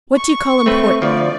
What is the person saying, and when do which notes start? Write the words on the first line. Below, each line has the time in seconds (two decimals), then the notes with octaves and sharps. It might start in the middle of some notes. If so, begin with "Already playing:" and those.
"What do you call important?"
0.16 C#6
0.66 A3 C4 B4
1.02 D2 F3 D5